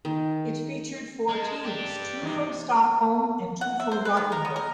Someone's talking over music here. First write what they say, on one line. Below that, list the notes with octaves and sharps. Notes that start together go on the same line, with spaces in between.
It featured four teams, two from Stockholm and two from Gothenburg.
D#3
G#3 A5
D4 G4
E2 C3 D#4
F#5
E5
C5
B4
D#3
A#4
B3
A#4